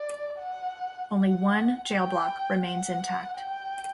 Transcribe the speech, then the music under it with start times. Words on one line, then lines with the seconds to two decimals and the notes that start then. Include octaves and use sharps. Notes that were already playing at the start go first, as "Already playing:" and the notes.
Only one jail block remains intact.
Already playing: D5
0.39 F#5
1.14 F#5
1.88 G5
2.64 F#5
3.38 G5